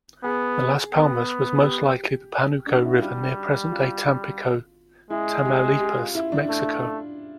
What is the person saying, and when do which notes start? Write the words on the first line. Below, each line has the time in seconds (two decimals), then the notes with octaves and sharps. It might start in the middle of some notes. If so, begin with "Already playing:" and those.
The Las Palmas was most likely the Panuco River near present-day Tampico, Tamaulipas, Mexico.
0.23 B3 G#4
0.93 B3
1.63 G4
2.67 D4
2.75 D#4
2.84 E4
2.93 F4
3.02 G3 F#4
3.72 F4
5.10 G#3 E4
5.45 G4
5.80 G4
5.97 F4
6.15 E4
6.32 D4
6.49 A3